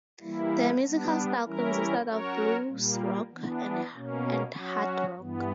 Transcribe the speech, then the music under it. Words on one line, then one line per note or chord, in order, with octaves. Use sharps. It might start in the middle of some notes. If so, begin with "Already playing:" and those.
Their musical style consisted of blues rock, and hard rock.
E3 G3 A#3 E4
G3 B3 D4
E3 G3 C#4 E4 A#4
F#3 C#4 F#4 A#4 C#5
A#2 G3 A#3
E3 B3 D4
B2 A#3 C#4
F#3 C#4 F#4
G2 E3 B3